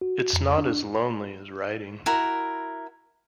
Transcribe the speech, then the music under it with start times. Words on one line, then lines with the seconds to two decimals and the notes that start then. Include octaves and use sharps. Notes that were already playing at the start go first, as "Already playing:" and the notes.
It's not as lonely as writing.
0.01 F#4
0.33 F2
0.58 D4
2.06 E4 F#4 A#4